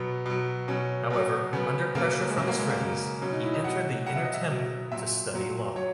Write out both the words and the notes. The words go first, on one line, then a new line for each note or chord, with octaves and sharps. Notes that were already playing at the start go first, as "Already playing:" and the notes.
However, under pressure from his friends, he entered the Inner Temple to study law.
Already playing: B2 F#3 B3
B2 F#3
B2 F#3 C#4
B2 F#3
C#3 F#3 B3
C#3 F#3 A#3
G#3
C#3 F#3 A#3
A#3
G#3
A#3
C#3 F#3
B2 F#3 C#4
D#4
E4
D#5
B2 F#3 F#5
B2 F#3 F#5
E5
D#5
E5
B2 F#3
A#2 F#3 E5
A#2 F#3
F#3 C#5